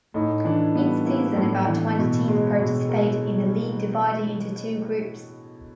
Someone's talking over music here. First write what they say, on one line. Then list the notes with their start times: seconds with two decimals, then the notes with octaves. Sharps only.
Each season about twenty teams participate in the league dividing into two groups.
0.14 A2 D#4
0.44 E3 D4
0.75 G3 B3
1.06 A#3 E4
1.36 A2
1.67 E3
1.98 B2
2.28 G#3
2.59 B2
2.89 G#3 A#4